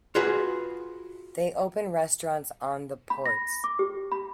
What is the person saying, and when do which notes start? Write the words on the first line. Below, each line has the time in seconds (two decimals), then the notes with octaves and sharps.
They opened restaurants on the ports.
0.15 F4 F#4 G#4 B4
3.10 B5
3.26 A#6
3.64 D6
3.79 G4
4.12 B5